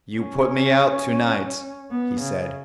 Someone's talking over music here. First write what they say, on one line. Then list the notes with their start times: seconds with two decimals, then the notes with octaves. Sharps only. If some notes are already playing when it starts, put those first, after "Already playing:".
"You put me out to-night," he said.
0.18 C#4
1.91 B3
2.21 C#3